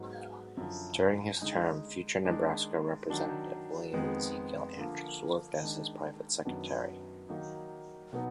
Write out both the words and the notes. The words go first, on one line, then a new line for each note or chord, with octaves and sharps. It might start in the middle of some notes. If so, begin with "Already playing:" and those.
During his term, future Nebraska representative William Ezekiel Andrews worked as his private secretary.
Already playing: G#2 F#3 B3 D#4
F#2 D3 F3
D3 G#3 D#4
D#3 G#3 D4
D#3 F#3 D4
F2 D#3 G#3 B3
D3 F3 A#3
D#3 G#3 D4
F#2 D#3 F#3 B3 D4
D#3 F#3 A#3 D#4
B2 F#3 B3 D#4